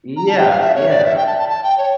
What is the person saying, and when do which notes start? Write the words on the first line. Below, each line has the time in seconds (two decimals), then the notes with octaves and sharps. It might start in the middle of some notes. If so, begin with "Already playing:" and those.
Yeah, yeah.
0.17 A#5
0.28 A5
0.38 G5
0.49 F5
0.60 E5
0.75 C#5
0.89 D5
1.04 E5
1.16 G5
1.27 A5
1.38 A5
1.49 A5
1.63 G5
1.78 C#5